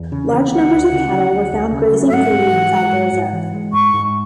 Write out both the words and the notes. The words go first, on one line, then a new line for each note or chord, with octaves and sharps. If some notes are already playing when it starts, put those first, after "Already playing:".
Large numbers of cattle were found grazing freely inside the reserve.
Already playing: E2
C#3
E3
D2 F#5
D2
C#3
F#3
D2
D2
C#3
F#3
E5
G#2 F#5
G#2
E3
G#3
G#2
G#2
E3
G#3
G#2 C#6
G#2